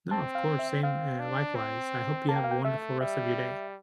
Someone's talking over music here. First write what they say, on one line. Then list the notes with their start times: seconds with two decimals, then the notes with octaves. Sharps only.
No, of course same, eh, likewise, I hope you have a wonderful rest of your day.
0.11 C4 A5
0.35 F5
0.59 E5
0.83 C4 F5
1.19 D4
1.55 C4
2.28 A#3 A5
2.36 G5
2.44 F5
2.51 G5
2.64 A3 E5
3.00 G3 E5